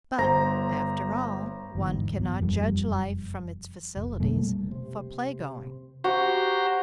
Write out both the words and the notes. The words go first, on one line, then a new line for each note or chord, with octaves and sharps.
But, after all, one cannot judge life from its facilities for playgoing.
G1 C5 A#5 A#6
G1 E2 G#2
E2
F1 F#2 F3 G3
F1
B2 G3 A3 A#3
C3
F#4 G4 C5 A#5